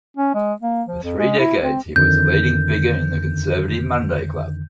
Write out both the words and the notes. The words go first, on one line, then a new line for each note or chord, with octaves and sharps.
For three decades, he was a leading figure in the Conservative Monday Club.
C#4
G#3
A#3
F3
F2
G#3
E4
C4
F2 D3 D#3 G6